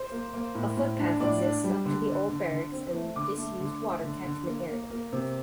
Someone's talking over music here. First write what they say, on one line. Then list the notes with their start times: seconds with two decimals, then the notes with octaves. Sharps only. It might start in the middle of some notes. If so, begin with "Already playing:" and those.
A footpath exists up to the old barracks and disused water catchment area.
Already playing: C5
0.11 A#3
0.33 A#3
0.55 A2
0.77 A2
0.99 D4
1.20 A2 D5
1.42 D4
1.64 G3
1.85 D3
2.08 D3
2.29 D3
2.51 D3
2.72 C4
2.94 A3
3.16 D3 D6
3.37 A3
3.60 D3
3.82 A3
4.04 D3
4.25 D3
4.46 A#3
4.69 A#3
4.90 A#3
5.12 C3